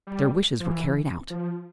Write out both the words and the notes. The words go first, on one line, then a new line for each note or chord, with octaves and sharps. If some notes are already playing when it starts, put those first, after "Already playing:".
Their wishes were carried out.
G3
F3
E3
F3